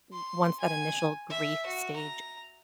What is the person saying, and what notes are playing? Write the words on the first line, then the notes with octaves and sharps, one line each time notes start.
O once that initial grief stage
C6
G#5
E5
F#4
A#5